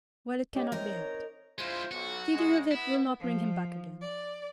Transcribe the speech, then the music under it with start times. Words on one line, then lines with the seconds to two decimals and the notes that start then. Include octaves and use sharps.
Well, it cannot be helped. Thinking of it will not bring him back again.
0.55 C#4 G4 D#5
0.72 C4 D#4 A#4 C#5
1.59 G#3 E4 F4 C5
1.91 B1 F#4
2.33 C#3 G#3
2.71 B3 E4
3.19 F3
4.00 D5